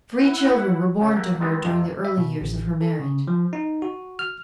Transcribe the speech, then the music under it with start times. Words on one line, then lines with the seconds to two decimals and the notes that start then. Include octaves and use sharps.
Three children were born to her during the early years of her marriage.
0.14 E4 F#5
1.01 C#3
1.16 A#3 E5 F#5 G5
1.40 D#3 G3 G#3 B3 C4 D#4
1.65 F2 C3
2.05 E5
2.18 B2
2.41 A1
2.81 A4
3.00 C#3
3.27 F3
3.53 D#4
3.82 F#4
4.19 F6